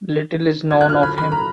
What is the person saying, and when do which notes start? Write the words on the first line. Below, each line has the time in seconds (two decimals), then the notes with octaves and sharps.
Little is known of him.
0.71 G#6
0.81 F#6
0.89 D3 F3 F6
1.03 B5
1.18 B5
1.32 A#5